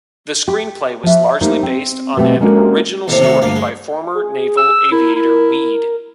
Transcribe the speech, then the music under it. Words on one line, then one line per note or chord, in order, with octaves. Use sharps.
The screenplay was largely based on an original story by former naval aviator Wead.
G4
F3 E5
G3 A3 A#3 D#4 C5
C4
B2 G3 A3 A#3 C4
G#3 A#3 C#4 D4 F#4 A4
D#2 A2 C3
C3 D#3 A3
D2 G2 A#3
G#3
G#4
E6
E4 A#4
E4